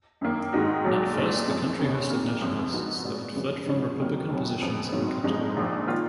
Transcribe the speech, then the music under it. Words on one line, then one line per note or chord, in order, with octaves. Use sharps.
At first the country hosted nationalists that had fled from republican positions in Catalunya.
F#2 D#3 A#3
G#2 D#3 G#3 D#4 F#4
B1 A#2 F#3
B1 A#2 G#3
G#1 F#2 F3
F1 D#2 C#3
F1 F2 D#3 A#3
G#1 F#2 F3
G#2 F3 B3 D#4 F#4
A#2 G#3 B3 F#4
F#2 C#3 F3
G#2 F3 G#3 C#4
F#1 F2 D#3 F#3 A#3
F1 F2 D#3 F#3 B3
F#1 F#2 F3 B3
G#1 G#2 D#3 F#3
G#1 G#2 F3 G#3 D#4
A#1 A#2 F3
D#3 A#3 F4